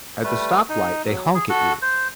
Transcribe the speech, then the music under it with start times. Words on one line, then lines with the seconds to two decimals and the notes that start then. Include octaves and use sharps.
at the stoplight they honk at you.
0.24 G3 A3 B4
0.69 D#4
1.05 F#3
1.35 G#4
1.49 F#4 A4
1.82 C5